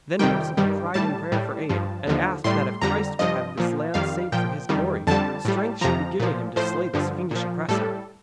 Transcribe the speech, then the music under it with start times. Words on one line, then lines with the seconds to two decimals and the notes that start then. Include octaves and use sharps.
Then Perceval cried in prayer for aid, and asked that if Christ would have this land saved for His glory, strength should be given him to slay this fiendish oppressor.
0.19 F2 C3 D#3 G3 G5
0.57 G2 D#3 G3
0.94 A2 G3 A5
1.32 A2 G3
1.69 G2 F3
2.07 D#2 D3 F3
2.44 A2 G3 C6
2.81 F2 D3 G3 A#5
3.19 G2 F3 D#5
3.57 A#2 F3
3.94 F2 D#3 G3 F5
4.32 A#2 F3 G5
4.69 F2 D#3 G3
5.07 F2 D3 G3 A5
5.45 A2 G3
5.81 F2 C3 F3 A#5
6.20 A#2 F3
6.56 A2 F3 C5
6.94 G2 D3 F3
7.31 A#2 F3
7.69 A2 G3 A4